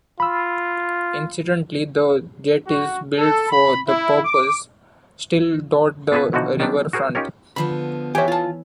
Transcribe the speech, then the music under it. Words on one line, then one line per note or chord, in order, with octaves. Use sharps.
Incidentally, the jetties built for the purpose still dot the riverfront.
F4 B5 E6
F#4
A4
B5
E4
D6
B3 F4 G#4 A4 B4
B2 D3 E3 F3 D#4 F#4
D#3 F#3 G3 B3 D4
F#4 G#4 A#4 C5
C#4 D#4 F4 G4 A#4 C#5
D3 F3 B3 B5
E3 G4 C#5 E5 G#5
F4 A5